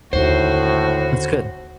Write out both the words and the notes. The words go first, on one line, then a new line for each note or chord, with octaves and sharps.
That's good.
D#2 A2 D3 F#4 C5